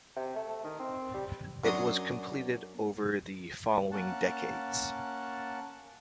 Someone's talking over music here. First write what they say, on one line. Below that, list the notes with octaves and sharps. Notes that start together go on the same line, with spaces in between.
It was completed over the following decades.
C3
A3
A3
D#3
C4
G3
F#2 D4 C#5 A#5 C6 D#6
A#3 C#4 F#5 A5